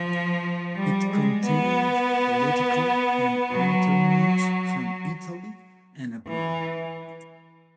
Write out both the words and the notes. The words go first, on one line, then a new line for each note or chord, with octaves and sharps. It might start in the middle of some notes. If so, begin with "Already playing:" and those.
It contained political and military news from Italy and abroad.
Already playing: F3
G3
G#3
B3
F#3
E3